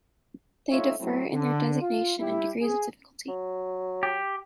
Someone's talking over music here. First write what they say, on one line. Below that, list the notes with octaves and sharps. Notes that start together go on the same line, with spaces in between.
They differ in their designation and degrees of difficulty.
A3 C4 D#4 F4 C#5 E5
F#3 A3 C4 E4
D3
F4
G3 E4 G4
G#4
F#3
G4